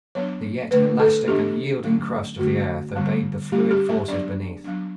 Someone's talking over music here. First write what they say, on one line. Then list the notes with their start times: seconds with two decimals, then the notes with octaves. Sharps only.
The yet elastic and yielding crust of the earth obeyed the fluid forces beneath.
0.15 F#3 B3 D4 C#5
0.71 D3 A3 D4 B4
1.00 A4
1.27 E3 B3 D4 G4
1.84 D3 F#3 A3 C#4
2.39 D3 A3 C#4 F#4
2.95 D3 G3 B3
3.52 G3 C#4 G4
3.71 G4
3.89 E5
4.08 F#3 B3 D4 D5
4.64 F#3 B3 D4